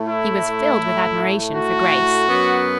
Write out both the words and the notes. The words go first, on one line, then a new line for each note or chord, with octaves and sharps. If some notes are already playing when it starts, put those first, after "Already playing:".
He was filled with admiration for Grace.
Already playing: A2 A3
E4
F#4
F#2 F#3 B3